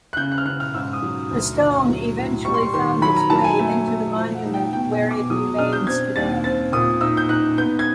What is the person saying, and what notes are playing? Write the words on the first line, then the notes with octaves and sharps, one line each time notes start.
The stone eventually found its way into the monument where it remains today.
F#6
C#3 G6
F#6
F6
C#3 F#6
F6
G#2 E6
D#6
F#3
D2
D2
F#3
A2
G3 C#6
C6
C#6
D#3 C6
F#3 B5
A#5
F#3 A5
G#5
A3
A3
F3
F#5
D#4
G5
B2 G5
G#5
B2
D6
F#3 D#6
D4 F6
G6
C4 G#6
D#2 A6
C4 A6
A#2 D#6
D#4 E6
G6
D#4 F#6
B3 G6
G#6